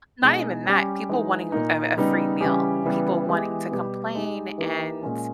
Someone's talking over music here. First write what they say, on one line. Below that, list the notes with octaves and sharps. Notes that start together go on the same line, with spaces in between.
Not even that, people wanting a a a free meal, people wanting to complain, and
B2 G#3 D#4 G#4
G3 C#4 G4
E3 G#3 D#4
A#2 A#3 D#4
C#3 G3 B3 D#4
C#3 E3 G3 C#4 G4
C#3 E3 G3 B3
E3 G#3 B3 G4
B2 G3 B3 G4
G#3 D#4 G4
E3 A#3 D#4 G4
A#2 G#3 C#4